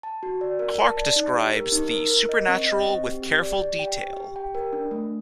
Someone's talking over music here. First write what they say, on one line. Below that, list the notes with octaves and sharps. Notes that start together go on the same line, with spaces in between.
Clarke describes the supernatural with careful detail.
A5
F#4
D5
A#4
A5
D5
D#4
G4
A#4
D#4
A#4
A#4
D#5
C4
D#5
C4
G4
G4
D5
G4
G5
G4
G4
G5
A#4
D4
A3